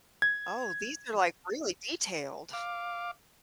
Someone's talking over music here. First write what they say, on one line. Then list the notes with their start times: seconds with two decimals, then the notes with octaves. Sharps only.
Oh, these are like really detailed.
0.22 G#6
2.53 F5 D6